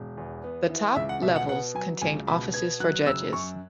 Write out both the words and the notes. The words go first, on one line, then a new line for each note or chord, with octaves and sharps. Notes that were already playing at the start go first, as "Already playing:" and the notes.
The top levels contain offices for judges.
Already playing: E1
E2
B3
E3
C#2 E5
F#5
B2 E5
F#5
B3 F#5
F#3 G#5
C#2 G#5
B2 B5
B3 G#6
F#3 F#6
F#1 E6
F#2 C#6